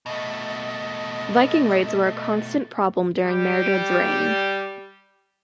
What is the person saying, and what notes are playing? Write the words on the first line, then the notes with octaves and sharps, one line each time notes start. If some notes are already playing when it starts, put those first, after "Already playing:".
Viking raids were a constant problem during Maredudd's reign.
B2 A3 D#5
G3 G4